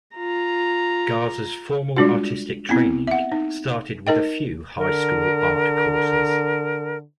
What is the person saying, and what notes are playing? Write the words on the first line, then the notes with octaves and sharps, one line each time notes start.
Garza's formal artistic training started with a few high school art courses.
F4 A#5
G3 G#3 D4 F4 F#4
B3 C4 E4
E5 F#5
D#4
D#4 A#4 D#5 G5
D3 A#4